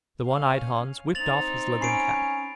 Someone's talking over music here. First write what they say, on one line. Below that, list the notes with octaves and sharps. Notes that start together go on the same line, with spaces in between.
The one-eyed Hans whipped off his leathern cap.
C#4 F5
C4 D#4 A6 F7 F#7
C#4 B5 C7 D7